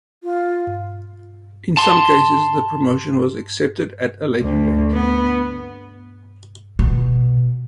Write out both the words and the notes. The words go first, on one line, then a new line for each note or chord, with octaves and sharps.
In some cases, the promotion was accepted at a later date.
F4
A5 C6
D2
B3
B2